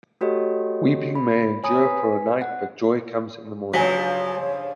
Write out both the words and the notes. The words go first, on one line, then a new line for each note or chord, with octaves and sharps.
'Weeping may endure for a night, but joy comes in the morning.
A3 F#4 G4 A4 C#5 D#5
B5
C#5 G#5 A#5 B5 D#6
B4 G#5 B6
F#5
G2 C#3 F3 F#3 C#5 G#5 B6